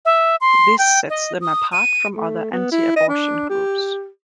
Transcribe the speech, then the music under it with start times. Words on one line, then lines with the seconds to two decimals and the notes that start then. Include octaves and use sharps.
This sets them apart from other anti-abortion groups.
0.05 E5
0.41 C6
0.78 G5
1.10 D#5
1.41 D#6
1.72 D#7
2.15 A3
2.52 B3
2.72 E4
2.96 D#5
3.09 D4
3.50 G4